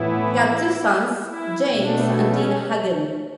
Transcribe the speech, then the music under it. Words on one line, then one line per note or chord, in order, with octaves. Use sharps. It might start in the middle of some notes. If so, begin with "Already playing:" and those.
They had two sons, James and Deane Hagen.
Already playing: A2 E3 B3 E4
E4
B2 A3 D4
C#4